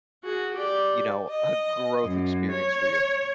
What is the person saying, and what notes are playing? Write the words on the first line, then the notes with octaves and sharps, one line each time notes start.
you know, a growth experience for you.
F#4 G#4
G4 D5
D#5
F#2
C#5